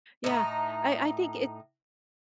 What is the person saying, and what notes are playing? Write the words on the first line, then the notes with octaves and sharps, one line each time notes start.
yeah, I I think it's
A2 D#4